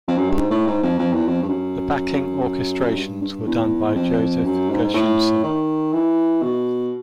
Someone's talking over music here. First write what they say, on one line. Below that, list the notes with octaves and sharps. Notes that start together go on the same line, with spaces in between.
The backing orchestrations were done by Joseph Gershinson.
F2
F#2
G2
G#2
A2
G#2
F2
F2
E2
F2
G2
F#2
G2
G2
E2
F2
F#2
G#2
G#2
A2
D#3
E3
B2